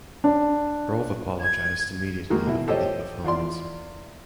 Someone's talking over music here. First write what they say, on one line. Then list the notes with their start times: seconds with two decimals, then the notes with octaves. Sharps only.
Rove apologized immediately after the performance.
0.24 D4
1.41 G#6
2.30 D#3 G#3 A#3 D#4 F#4
2.47 B2 E4
2.67 F4 G4 A4 C5 C#5 D#5
3.24 E2 F4 D5 C6